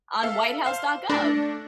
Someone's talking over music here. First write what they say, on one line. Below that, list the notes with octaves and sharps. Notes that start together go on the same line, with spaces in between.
On whitehouse.gov.
A4 E5 F5
C5 F5
A3 D4 A#6